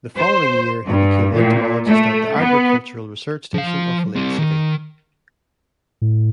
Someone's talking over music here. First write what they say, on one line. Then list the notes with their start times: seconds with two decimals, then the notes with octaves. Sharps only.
The following year, he became entomologist at the Agricultural Research station of Lake City.
0.16 C5
0.87 G2
1.34 A#2
1.87 A3
2.38 B3
3.54 F3 F5
4.16 G3 C4
4.38 D#3
6.02 A2